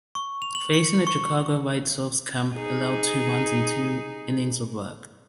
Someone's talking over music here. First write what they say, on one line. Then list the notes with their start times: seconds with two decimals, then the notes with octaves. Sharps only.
Facing the Chicago White Sox, Camp allowed two runs in two innings of work.
0.15 C#6
0.42 F7
0.55 F#7
0.73 C#7
1.07 C#6
2.55 D#4 G#4